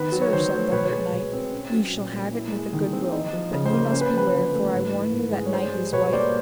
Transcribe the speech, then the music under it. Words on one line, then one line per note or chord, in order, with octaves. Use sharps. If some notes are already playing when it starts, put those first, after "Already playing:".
Sir, said the hurt knight, ye shall have it with a good will; but ye must beware, for I warn you that knight is wight.
Already playing: D#3 B3 B4
F#3
C#5
D#3 C5
A3
B2 B4 C#5
G#3
B2
C4
C#4
F#3
A#2
A#3
E4
G#3
D#3
C4
D#4
F3
C#3
C5
A#3
C#4 C5
B4
F3 B4
D3
A3
G#2
E3
G#2
G#3
C#5
D4 C5
G3
B2 B4 C#5
A#3 C5 D5